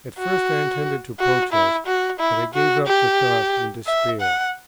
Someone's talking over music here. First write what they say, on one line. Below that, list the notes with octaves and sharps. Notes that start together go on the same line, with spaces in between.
At first I intended to protest; but I gave up the thought in despair.
F#4
F#4
E4
F#4
E4
F#4
G4
E5
F#5